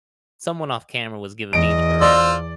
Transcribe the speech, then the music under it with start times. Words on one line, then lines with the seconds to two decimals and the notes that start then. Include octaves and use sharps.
someone off camera was giving me the bird,
1.53 E2 D#5 D7
2.01 F4 C5 D5 E6